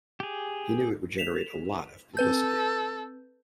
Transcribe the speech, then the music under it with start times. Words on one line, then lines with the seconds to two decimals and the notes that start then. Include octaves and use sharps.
He knew it would generate a lot of publicity.
0.20 G4 G#4
1.18 B6 E7 F7
2.17 C4 A4 B4 G6